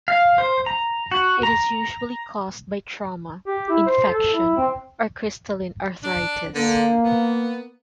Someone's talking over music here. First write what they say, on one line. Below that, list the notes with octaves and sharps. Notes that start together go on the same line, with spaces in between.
It is usually caused by trauma, infection, or crystalline arthritis.
F5
C5
A#5
F#4
A#5
G4
E4
C5
A4
E4
C4
D4
D3 A#3
B3